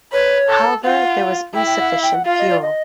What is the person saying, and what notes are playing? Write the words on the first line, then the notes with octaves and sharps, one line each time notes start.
However, there was insufficient fuel.
B4 C#5
A4
F4 F#5
E4 G5
G5
F#5
F5
G5
F#5
F4 F5
D#5
D5
D#5